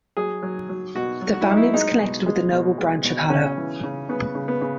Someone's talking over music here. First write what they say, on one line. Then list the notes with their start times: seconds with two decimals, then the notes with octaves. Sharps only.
The family was connected with the noble branch of Haddo.
0.17 F#3 G#4
0.42 F#3
0.69 F#3
0.95 B2 F#4
1.22 F#3
1.34 F#4
1.41 E4
1.47 F#3 D#4
1.57 E4
1.74 G#3 D#4
2.00 B2
2.26 G#3
2.52 B2
2.78 G#3
3.04 B2
3.30 C#3 C#4
3.57 E3
3.83 C#3
4.09 C#3 B3
4.35 C#3
4.48 B3
4.61 C#3